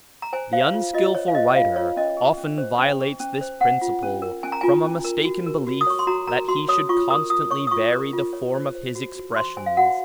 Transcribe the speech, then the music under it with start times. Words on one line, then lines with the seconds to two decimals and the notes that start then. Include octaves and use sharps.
The unskillful writer often violates this principle, from a mistaken belief that he should constantly vary the form of his expressions.
0.22 A#5
0.33 C5 G#5
0.53 C5 F5
0.74 F4
0.94 F4 D#5
1.15 C5 C#5
1.28 F5
1.35 C5 D#5
1.56 F4 F5
1.76 F4 C#5
1.97 C#4 D#5
2.17 G#4
2.37 C#4
2.58 C5
2.79 C#4
2.99 G#4
3.20 C#4
3.41 C5
3.60 C#4 F#5
3.81 F4
4.02 C#4
4.22 A#4
4.43 C#4 G#5
4.52 A#5
4.61 F4 G#5
4.84 C#4
5.04 A#4
5.25 F#4
5.46 A#4
5.67 F#4
5.81 D#6
5.87 C#5 C#6
5.99 C6
6.07 F#4 A#5
6.27 A#4 A#5
6.48 F#4 C6
6.68 C#5 D#6
6.89 F4 C#6
7.10 A#4 D#6
7.30 F4 D#6
7.51 C#5 C#6
7.67 D#6
7.71 F4 C#6
7.92 A#4
8.13 F4
8.33 C#5
8.54 C5
8.75 C5
8.95 F#4
9.15 F#4
9.36 C5 C6
9.56 C5 G#5
9.66 F5
9.77 F#4 F#5